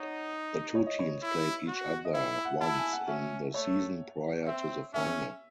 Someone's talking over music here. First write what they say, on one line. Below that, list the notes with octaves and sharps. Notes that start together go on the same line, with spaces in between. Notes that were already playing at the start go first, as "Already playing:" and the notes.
The two teams played each other once in the season prior to the final.
Already playing: D#4 C#5 F#5
C#5
D#5
C#5
E4
F#4
D#5
E4 E5
E5
F#5
E4 A5
G#5
F#5
C#4 E5
A3 C#5
C4 E5
C#4 E5